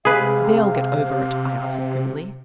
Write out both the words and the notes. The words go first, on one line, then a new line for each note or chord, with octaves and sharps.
'They'll get over it,' I answered, grimly.
C3 G#3 G#4 B4 F5